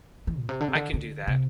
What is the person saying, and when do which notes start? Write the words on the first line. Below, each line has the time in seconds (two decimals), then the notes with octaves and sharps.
I can do that.
0.27 E3
0.38 A#2
0.49 C3
0.60 D3
0.68 C3
0.75 D3
0.94 D3
1.27 C3